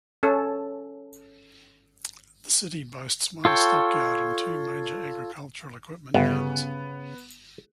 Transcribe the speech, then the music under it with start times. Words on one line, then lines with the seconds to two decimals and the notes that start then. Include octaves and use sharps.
The city boasts one stockyard and two major agricultural equipment dealers.
0.23 C#4 A4
3.45 F4 A4 C#5 G5
6.14 G1 C#3 B3